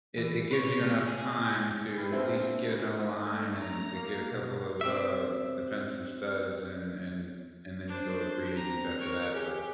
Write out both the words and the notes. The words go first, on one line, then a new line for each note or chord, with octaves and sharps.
it it gives you enough time to, at least, get an O line, and to get a couple of, uh, defensive studs, and and and then you go to free agents after that. But,
E3
B4 C#5
C3 A3
G#4
G3 E4 B4
A#2 D3 F3 C4 E4
C#3
A3
A#5
A#3
B2
C4 D5 E5
D4 C5
C4 A#5
A#4 C#5
G4 G#4